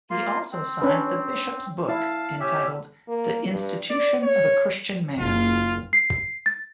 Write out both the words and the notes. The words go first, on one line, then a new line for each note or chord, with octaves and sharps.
He also signed 'the bishops' book,' entitled "The Institution of a Christian Man".
A#3 F4 C6
C4
C#4 D4 B4
E4 F5 A5
C#4 G4 E5
A#3
G2
D5
C#5
F#1 F4
C7
A6